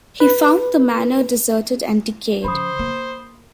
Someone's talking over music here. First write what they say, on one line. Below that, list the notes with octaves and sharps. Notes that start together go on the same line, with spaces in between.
He found the manor deserted and decayed.
B4
C#3 F3 C5 B5 D#6
A#3